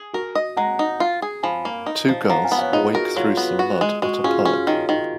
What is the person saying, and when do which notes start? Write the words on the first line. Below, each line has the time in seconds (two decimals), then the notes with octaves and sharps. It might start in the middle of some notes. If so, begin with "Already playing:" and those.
Two girls wake through some mud at a park.
Already playing: G#4
0.13 F#4 A#4
0.35 D#5
0.57 G#3 F#5 A#5
0.79 D#4
1.00 F4
1.22 G#4
1.43 F3 G#5 B5
1.65 A#3
1.86 D#4
2.09 F3
2.29 F3 F#5 A#5
2.44 F5 G#5
2.52 B3
2.58 C#5 F5
2.72 D#4 F4 G#4
2.95 F#4 A#4
3.16 F#3 F4
3.37 B3
3.59 F#4
3.81 G#3
4.02 G#3 F#4
4.24 C#4 F4 G#4
4.45 C#4
4.67 D#3
4.89 D#3